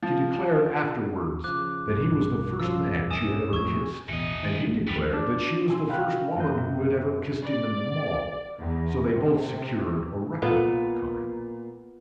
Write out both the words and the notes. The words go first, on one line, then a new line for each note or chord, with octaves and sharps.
She declared afterwards that he was the first man she had ever kissed, and he declared that she was the first woman who had ever kissed him in the Mall, so they both secured a record of a kind.
F3
C#3 F3 D6 F#6
B1 G2 A#4 C5
F3 C#4 C5 E6
F#2 G#5 D#6 E7
F2 A2 F3 C#6 G#6
A1 E2 B2 E3 D#5
D#3
A1 F#3
G#1 F2 A2 G3 B3
D4
G#5 C6 E6
C3 G4 F5 B5 F#6 G6
F#2 A#3 C4 B4 C5 G6
D5
E2
C3
A#2 B3 F4 A4